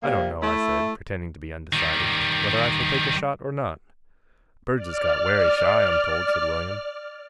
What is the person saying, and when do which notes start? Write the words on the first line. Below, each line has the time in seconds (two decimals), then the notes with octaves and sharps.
'I don't know,' I said, pretending to be undecided, 'whether I shall take a shot or not.' 'Birds is got wery shy, I'm told,' said William.
0.03 C3 G3 A#3
0.42 A3 E4
1.73 D#3 G3
4.75 D5 F6